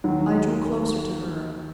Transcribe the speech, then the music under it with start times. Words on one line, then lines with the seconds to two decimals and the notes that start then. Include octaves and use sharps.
I drew closer to her.
0.04 D#2 D#3 F#3